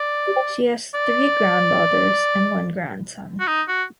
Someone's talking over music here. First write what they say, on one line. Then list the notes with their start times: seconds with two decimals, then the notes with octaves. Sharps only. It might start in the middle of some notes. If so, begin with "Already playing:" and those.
She has three granddaughters and one grandson.
Already playing: D5
0.95 D5
3.40 F#4
3.47 D#4
3.68 F#4